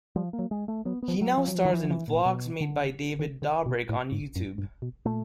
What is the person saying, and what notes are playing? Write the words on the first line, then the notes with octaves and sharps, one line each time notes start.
He now stars in vlogs made by David Dobrik on YouTube.
F3 G3
A#3
F#3
G#3
A3
F#3 B3
B3
F3
F#3
F3
F#3
F3
D#3
E3
E3
A#2
B2
D3
D#3
D3
B2
A2
G#2
F#2
G2
B2
A#2 A3